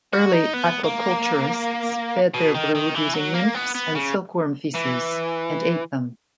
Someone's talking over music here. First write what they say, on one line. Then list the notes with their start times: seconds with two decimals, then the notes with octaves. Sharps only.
Early aquaculturists fed their brood using nymphs and silkworm feces, and ate them.
0.13 F#4
0.33 D#4
0.53 B3
0.84 A#3
2.34 B2
2.55 D#3
2.75 D#3
2.95 E3
3.15 F#3
3.34 A#3
3.55 B3
3.75 B3
3.95 C#3
4.75 E3